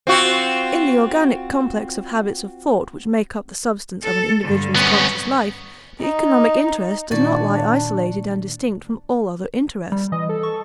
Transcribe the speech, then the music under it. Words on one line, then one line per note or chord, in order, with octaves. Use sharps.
In the organic complex of habits of thought which make up the substance of an individual's conscious life the economic interest does not lie isolated and distinct from all other interests.
C4 F4 F#4
A4
G2 D3
B3 C#4
D#4
A#2 D#3 D4 F#4 D5
G3
E3 D#5
A4
C#6